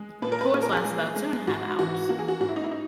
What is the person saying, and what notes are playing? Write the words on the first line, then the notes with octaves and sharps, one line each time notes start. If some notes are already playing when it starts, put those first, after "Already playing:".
Tours last about two and a half hours.
Already playing: G#3
A#2 B4
A#4
B4
A#2 G#4
A#4
G#4
G#3
G#3
G#2 F#4
E3 F#4
A#3 F#4
G#4
F#4
G#2 F#4
E4
D#4
E4
D#4